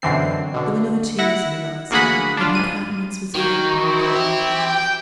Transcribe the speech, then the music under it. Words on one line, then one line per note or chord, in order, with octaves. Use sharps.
There were no tears in her eyes now, and her countenance was lit up by a calm pride.
F#2 B2 D3 E3 C4 C7
B2 D3
E4 F#5 A#6
D2 A#3 F#4 G#4 F#5 B5
D4 F4
G#2 D#7
D#3 A#3 F#4 G5
C4 E4
G4
G5